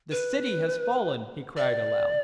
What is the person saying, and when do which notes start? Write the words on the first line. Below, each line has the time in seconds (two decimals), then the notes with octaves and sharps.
"The city has fallen!" he cried aloud.
0.11 B4
1.57 D5